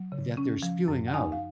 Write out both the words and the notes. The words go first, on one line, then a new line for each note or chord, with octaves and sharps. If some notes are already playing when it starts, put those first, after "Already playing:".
that they're spewing out
Already playing: F#3
C#3
C#4
F3
F#2
F#5
D#4 G#5
F5